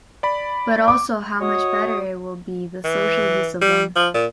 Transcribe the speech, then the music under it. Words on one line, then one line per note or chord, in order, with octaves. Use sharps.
But also how much better it will be the social use of them.
D5 B5
D6
F#4 C#5 D#5 D#6
E3
G3
F3
A#2